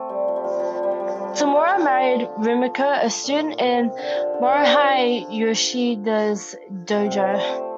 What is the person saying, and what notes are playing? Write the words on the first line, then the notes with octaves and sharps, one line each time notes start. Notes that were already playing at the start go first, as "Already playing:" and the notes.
Tamura married Rumiko, a student in Morihei Ueshiba's dojo.
Already playing: A3 C4
G3
F3
G3
F3
G3
F3
G3
F3
G3
F3
G3
F3
G3
F3
G3
F3
G3
F3
D3
A#2
C3
D3
F3
D3
C3
D3
C3
C3
D3
A3
C4